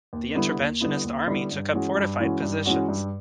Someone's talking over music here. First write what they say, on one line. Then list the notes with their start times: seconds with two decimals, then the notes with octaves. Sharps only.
The interventionist army took up fortified positions.
0.13 D#2
0.35 D3 G3 B3 E4
0.59 D#2
0.81 D3 G3 B3 E4
1.04 D#2
1.27 D3 G3 B3 E4
1.51 G2
1.74 E3 G#3 C#4 F#4
1.97 G2
2.20 E3 G#3 C#4 F#4
2.42 G2
2.66 E3 G#3 C#4 F#4
2.88 G2